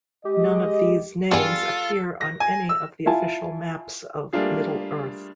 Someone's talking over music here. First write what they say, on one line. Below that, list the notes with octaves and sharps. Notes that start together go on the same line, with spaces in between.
None of these names appear on any of the official maps of Middle-earth.
G#3 G4 D#5
G2 G3 B3 D4 F4 G#4 A4
A#6
G#5
E6
E4 F4 G#5 A5
G3 A3 A#3 D4 F4 G#4